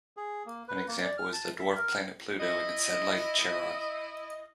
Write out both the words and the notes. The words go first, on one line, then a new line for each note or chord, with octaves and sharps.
An example is the dwarf planet Pluto and its satellite Charon.
G#4
A#3
B4
A#3
D5
F6
A5
E5
A#4
E4 D#5